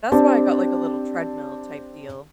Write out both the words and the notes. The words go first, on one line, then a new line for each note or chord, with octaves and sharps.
that's why I got, like, a little treadmill type deal.
C4 D4 G4 D5 A5